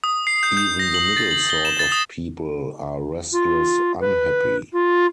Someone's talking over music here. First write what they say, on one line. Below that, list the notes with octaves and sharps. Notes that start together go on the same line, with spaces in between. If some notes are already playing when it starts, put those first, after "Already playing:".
Even the middle sort of people are restless unhappy.
D#6
C7
G6
G6
A#6
F#7
A6
F#7
G7
E7
A6
D#6
F4
B4
F4